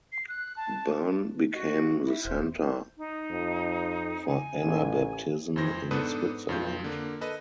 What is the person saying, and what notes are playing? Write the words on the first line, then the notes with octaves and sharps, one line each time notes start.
Bern became the center for Anabaptism in Switzerland.
C7
F#6
A5
F#4 D#5
E4 E5
E1 C5
D#4
F2
G#5
A1
F2 E3 C5 A#6
G#2 B3 D4 A4 B4 D#6
F2 F4 G6
D3 A#3
A4 B4 D#5